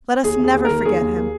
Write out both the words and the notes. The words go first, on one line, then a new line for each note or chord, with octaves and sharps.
Let us never forget him.
D#2 G#4
D#2 G#4
D#2
A#4
D#3
D#2 G#4
D#2
A#3